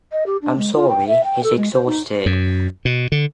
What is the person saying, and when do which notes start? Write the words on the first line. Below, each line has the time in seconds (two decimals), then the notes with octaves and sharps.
I’m sorry, he’s exhausted.
0.12 D#5
0.26 G4
0.42 D4
0.58 G#3
0.75 F4
0.89 G5
1.08 E5
1.24 G5
1.43 A4
1.57 G#3
1.73 C5
1.86 D#4
2.26 F#2
2.85 B2
3.12 D3